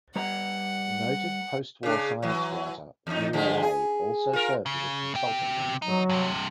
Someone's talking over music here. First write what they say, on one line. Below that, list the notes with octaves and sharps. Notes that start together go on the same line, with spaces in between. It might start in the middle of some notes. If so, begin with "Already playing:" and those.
Noted post-war science writer Willy Ley also served as a consultant on the film.
G3 B4 F#5 A#5
C#3 D4
E3 F#3
E2 D#4
D3 F3 G#3
G#4
F4 A#4
C#3
C3 G5
F#3 D#4
G2 C3